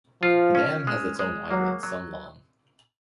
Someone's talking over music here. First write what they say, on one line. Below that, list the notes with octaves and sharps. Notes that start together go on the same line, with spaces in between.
The dam has its own island some long.
F3 F4
C#4
G#3
G#3
F#3 A#3
F#3